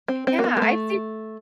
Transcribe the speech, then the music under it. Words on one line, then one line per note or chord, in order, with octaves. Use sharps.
Yeah. I've seen
C4
C4
A#3
B3
A#3
A3